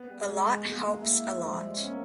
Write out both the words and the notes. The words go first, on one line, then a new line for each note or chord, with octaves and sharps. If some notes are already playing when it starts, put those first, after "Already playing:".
A lot helps a lot.
Already playing: B3
G3
G3
G#3 G#4
G#3
G#3 B3
A#3
A3
A#3
E4
G3
F3 G#3
G3
G#3
C#4
B3
A#3